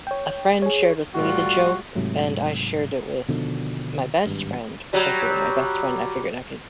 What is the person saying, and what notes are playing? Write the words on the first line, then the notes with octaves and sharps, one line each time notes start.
a friend shared with me the joke, and I shared it with my best friend- because they were my best friend I figured I could
C#5 G5
G#4 C#5
A2 G3 F4 F#4
G#2 C3 F#3 A3
B2 D3 D#3 F3
G#1 G2
F#3 G3